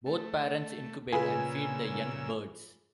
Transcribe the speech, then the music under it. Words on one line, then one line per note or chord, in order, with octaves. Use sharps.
Both parents incubate and feed the young birds.
A3
A#2 C#3 F4 G#4 B4 G#5 E6